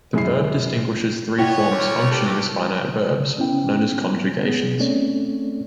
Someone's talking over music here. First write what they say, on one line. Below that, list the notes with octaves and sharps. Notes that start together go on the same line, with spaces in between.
The verb distinguishes three forms functioning as finite verbs, known as "conjugations".
F#2 G#3 E4 C7
B3 E4 C#5 D5 G5
D2 A#4
G4 A4
C#3
B3 C#4 E4 G5
B3 G#4
A3 C4 C#4 A4 C#5 D5